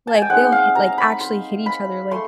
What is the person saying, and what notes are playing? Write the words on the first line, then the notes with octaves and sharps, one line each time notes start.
like, they'll hit like, actually hit each other, like
A5
G#5
G5
G#3 C4 D#4 F#5
F5
A#5
B5
C6
B5
A3 C6